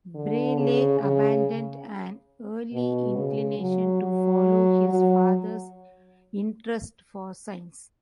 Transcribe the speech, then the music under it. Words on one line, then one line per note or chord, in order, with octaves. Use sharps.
Brayley abandoned an early inclination to follow his father's interests for science.
D3
C#3
C#3
B2
C#3
F#3
F#3
F#3